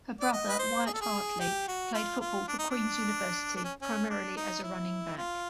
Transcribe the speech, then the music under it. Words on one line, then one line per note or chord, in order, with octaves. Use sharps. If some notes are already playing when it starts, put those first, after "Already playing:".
Her brother Wyatt Hartley played football for Queen's University, primarily as a running back.
D5
D#5
B4
C5
G#4
A4
G#4
G4
F#4
F4
F4
D4
D#4
D4
D4
C#4
C#4
D4
D#4
E4
F4